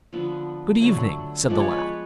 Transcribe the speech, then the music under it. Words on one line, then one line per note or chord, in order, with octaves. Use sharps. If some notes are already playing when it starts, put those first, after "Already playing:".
'Good evening!' said the lad.
D3 F3 B3
D3 F#3 A3
F3 G#3 B3 D5
C#5
B4